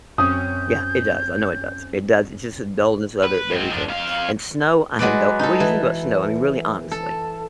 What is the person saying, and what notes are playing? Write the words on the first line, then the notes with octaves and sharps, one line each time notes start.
Yeah, it does. I know it does. It does. It's just the dullness of it and everything. And snow, I have no What do you think about snow, I mean, really honestly?
F#2 C4 C#4 D#6 G6
B4
G#2 C4
F3 D4
F2 F5
F#3 G#3 B4 D5
D#4 A4
E3
A4